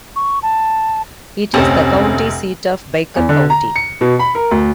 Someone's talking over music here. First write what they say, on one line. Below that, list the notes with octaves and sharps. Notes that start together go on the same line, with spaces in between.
It is the county seat of Baker County.
C#6
A5
F1 D2 C4 C#4 G4 A4 C#5
E2
D3
A#5
C#7
B2
B5
A#4
D2